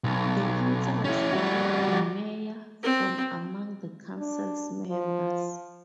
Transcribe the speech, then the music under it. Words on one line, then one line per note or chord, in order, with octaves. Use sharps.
The councillors elect a mayor from among the council's members.
B1
C#4 E4
G3 F#4
C4
D4
F3